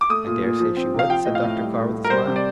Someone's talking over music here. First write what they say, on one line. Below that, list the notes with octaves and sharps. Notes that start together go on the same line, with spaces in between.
"I dare say she would," said Dr. Carr, with a smile.
D6
A3 D#6
A#2
A#2
F3
C4
C3 F5
F3 G5
A2 D#5
F5
A2
G3
A2
A2
A#4
G3 C5
C3
D5